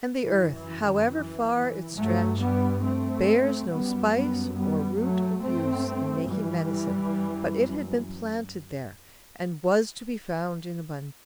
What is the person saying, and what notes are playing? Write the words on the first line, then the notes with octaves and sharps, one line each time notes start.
And the earth, however far it stretch, bears no spice or root of use in making medicine, but it had been planted there, and was to be found in abundance.
F#2 E3
E3
D#3
E3
G2 F#3 A3
G3 B3
A3 C4
F#2 G3 B3
G3 B3
G3 B3
F#3 A3
G2 A3 C4
E3 G3
F#2